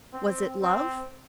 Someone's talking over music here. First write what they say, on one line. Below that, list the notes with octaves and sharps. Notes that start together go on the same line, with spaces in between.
Was it love?
C4
C4